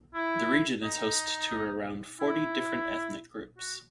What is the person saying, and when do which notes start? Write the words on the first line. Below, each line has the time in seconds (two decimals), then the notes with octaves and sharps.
The region is host to around forty different ethnic groups.
0.14 E4
0.82 D#4
2.20 E4
3.57 F#4